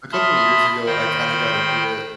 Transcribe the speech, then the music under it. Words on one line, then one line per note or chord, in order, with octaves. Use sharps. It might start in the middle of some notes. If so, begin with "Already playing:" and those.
a couple years ago, I kinda got into it
E5 A5 B5 C6 D#6 F6
D#3 C5 G5 B5 C6